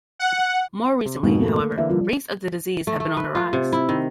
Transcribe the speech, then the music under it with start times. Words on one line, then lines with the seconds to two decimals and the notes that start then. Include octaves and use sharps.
More recently, however, rates of the disease have been on the rise.
0.19 F#5
1.06 C3
1.23 F2 G#2 B2 G#3 A#3 D#4
1.40 A3 A#3 A4
1.78 D3 E3 A#3 E5
1.89 F3 G3
2.87 A3
3.00 A3
3.17 B4
3.35 F4
3.53 C3
3.73 E4
3.89 D#3